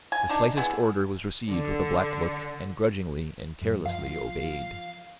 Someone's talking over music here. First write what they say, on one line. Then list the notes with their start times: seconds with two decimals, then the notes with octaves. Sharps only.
The slightest order was received with a black look and grudgingly and carelessly obeyed.
0.12 G#5
0.29 D4 D#4
0.57 E3 B3 G#4
1.50 D3
3.62 F#2
3.86 F3 F5